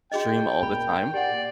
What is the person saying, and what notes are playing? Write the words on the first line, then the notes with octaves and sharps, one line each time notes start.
stream all the time,
F#4 G#4 D#5 G5
A#2 B5
G4 D5 F#5